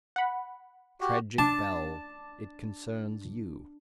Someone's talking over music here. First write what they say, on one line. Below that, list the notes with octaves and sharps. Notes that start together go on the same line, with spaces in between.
Tragic bell! it concerns you.
F#5 B5
F#4 G4
D4 A5